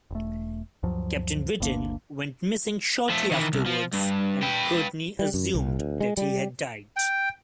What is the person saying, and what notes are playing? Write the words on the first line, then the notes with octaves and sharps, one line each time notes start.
Captain Britain went missing shortly afterwards and Courtney assumed that he had died.
E1 A3
D2 G2 F3 F#3
G1 D2 A#3 D4
F3 A3
D#3 E3
C2
F3
G2
B4 G5
G3
F#2
C2
D2
G#3
G3
G5